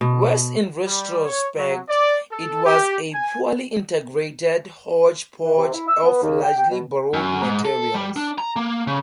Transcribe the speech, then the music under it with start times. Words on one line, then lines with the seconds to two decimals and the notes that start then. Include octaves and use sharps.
Worse in retrospect, it was a poorly integrated hodgepodge of largely borrowed materials.
0.01 B2
0.86 G3
1.25 C#5
1.58 F#3
1.89 D5
2.31 A4
2.66 G4
3.13 G#5
5.44 E3
5.57 C3
5.73 E4
5.88 E6
6.03 B3
6.22 D#2
6.42 G5
6.57 G5
6.70 B2
7.14 F#2
7.43 G#2
7.65 A4
7.94 G3
8.16 D4
8.38 A#5
8.56 A#3
8.87 C#3